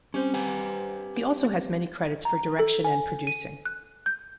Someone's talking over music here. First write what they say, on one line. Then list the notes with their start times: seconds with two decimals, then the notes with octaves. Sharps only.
He also has many credits for direction and producing.
0.14 G3 C4 C#4 C5
0.34 G4 B4 G#5
2.25 A#5
2.59 A4
2.84 G#5
3.27 D#7
3.65 F#6
4.06 G6